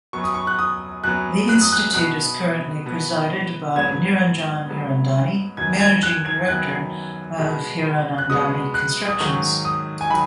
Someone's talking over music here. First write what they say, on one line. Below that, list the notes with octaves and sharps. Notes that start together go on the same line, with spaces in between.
The institute is currently presided by Niranjan Hirandani, Managing Director of Hiranandani Constructions.
F#2 F#3 B3 C#6
D#6
C#6
F#6
D#6
F#2 F#3 B3 F#6
F#6
D#6
F#6
B2 B3 F#6
B2 B3
G#2 F#3 B3 G#6
G#2 F#3 B3
F#2 D#3 F#3 B3 G#6
G#6
F#6
G#6
F#2 D#3 F#3 B3 F#6
B2 G#3 B3
F#6
B2 G#3 B3 D#6
F#6
D#6
G#2 D#3 F#3 C#6
D#6
G#5
D#3 F#3 B5